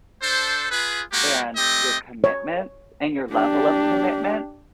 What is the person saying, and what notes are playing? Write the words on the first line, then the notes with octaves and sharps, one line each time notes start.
and your commitment and your level of commitment
D4 A4 C5
F4 G#4 B4
G#3 A#3 F#4 G4
A3 C4 G4 D#5
C#5
D4 G4